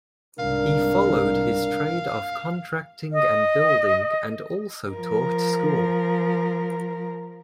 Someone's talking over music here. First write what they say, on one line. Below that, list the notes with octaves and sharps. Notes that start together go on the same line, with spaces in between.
He followed his trade of contracting and building and also taught school.
C2 G#2 D4 A#4 F5
D#5
F3 A#4